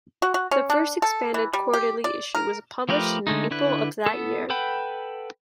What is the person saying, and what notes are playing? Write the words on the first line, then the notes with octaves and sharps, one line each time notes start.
The first expanded quarterly issue was published in April of that year.
F#4
F#4
C#4
D4
A4
E3
G3
G4
D5
A#4
F3 A3 G4 A#4 B4
D3 G#3 A3 D#4
D3 D4 E4 B4 F#6
B3 A4
A4 B4 F#5 G5 B5